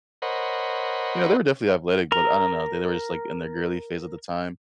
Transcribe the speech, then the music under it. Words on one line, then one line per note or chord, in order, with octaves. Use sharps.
you know they were definitely athletic, but I don't know, they they were just like in their girly phase at the time,
A#4 C5 C#5 D#5 F#5 B5
A#4 A#5